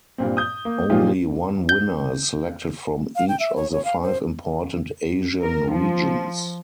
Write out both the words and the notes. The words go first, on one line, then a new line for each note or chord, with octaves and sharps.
Only one winner is selected from each of the five important Asian regions.
G2 A#2 C4
D#6 G6
A#3
A#2 D#3 F3 F4 G4 G#4
G6
F5
G5
E5
C#5
C#5
F5
C5
A#4
F3